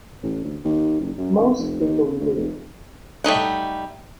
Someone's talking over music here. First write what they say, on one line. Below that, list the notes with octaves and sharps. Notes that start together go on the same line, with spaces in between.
Most people do.
A1
D2
D#2
F#1
F#2
D#1
F1
D#2
C#3
D2
F1
G3 A3 D#4 F#5